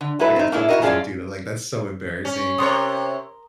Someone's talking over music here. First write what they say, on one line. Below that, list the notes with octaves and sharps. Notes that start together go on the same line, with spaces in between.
Like, I tell him, "Please don't do that. Like, that's so embarrassing."
D3
F#3 G#3 E4 A4 B4
C4 D#4
A#3 D4 E4 F#4 G#4
E4 F#4 A#4 D#5
F#2 C#4 F4 G#4 D5 A5
C#4
C3 A#4 C#5 C6 D#6